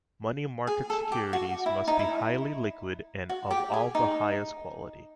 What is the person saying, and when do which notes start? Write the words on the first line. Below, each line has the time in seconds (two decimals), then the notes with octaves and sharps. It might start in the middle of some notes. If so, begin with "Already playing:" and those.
Money market securities must be highly liquid and of the highest quality.
0.67 G#4
0.90 A4
1.12 G4
1.33 F#4
1.66 E4
1.88 D#4
1.99 E4
3.29 F#4
3.51 G4
3.74 G#4
3.95 D#4